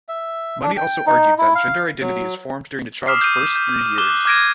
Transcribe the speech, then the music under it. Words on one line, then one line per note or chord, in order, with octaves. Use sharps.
Money also argued that gender identity is formed during a child's first three years.
E5
D4
G5
D#4
E4
F5
F#3
D6 D#6 F6 B6 C7
G6 D#7
G6
D#7
D6 F#6 G7
D6 F6 G#6 A#6 D7 D#7